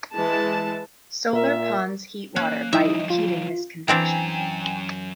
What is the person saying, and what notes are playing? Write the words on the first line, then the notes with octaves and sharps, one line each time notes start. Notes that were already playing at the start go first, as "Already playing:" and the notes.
Solar ponds heat water by impeding this convection.
E3 G#3 A5
A#2 A#4 E5
A#3 C#4 F#6
F3 G3 D#4 E4 D#5 E5
F4
F#2 E3 C4 D4 G5 G#5 A#5